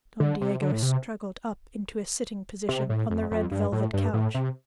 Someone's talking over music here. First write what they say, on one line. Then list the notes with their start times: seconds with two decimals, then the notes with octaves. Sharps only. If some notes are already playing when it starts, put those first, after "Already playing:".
Don Diego struggled up into a sitting position on the red velvet couch.
0.20 D3
0.41 C3
0.62 D3
0.72 A2
0.82 C3
2.69 C3
2.89 A2
3.10 F2
3.31 F2
3.51 G2
3.72 A2
3.93 G2
4.13 A2
4.34 C3